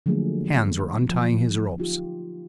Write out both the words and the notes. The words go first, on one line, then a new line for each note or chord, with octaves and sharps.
Hands were untying his ropes.
D3 F3 F#3 A3 A#3 G#4
F3 F#3
D#4 F4 G4